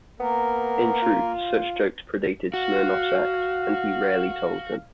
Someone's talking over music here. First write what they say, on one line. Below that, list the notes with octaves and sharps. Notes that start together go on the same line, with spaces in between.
In truth, such jokes predated Smirnoff's act, and he rarely told them.
A#3 B3 A#4
F4
F#4 F5